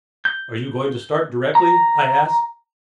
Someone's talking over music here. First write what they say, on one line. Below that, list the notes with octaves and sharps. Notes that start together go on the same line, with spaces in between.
"Are you going to start directly?" I asked.
G6
A#5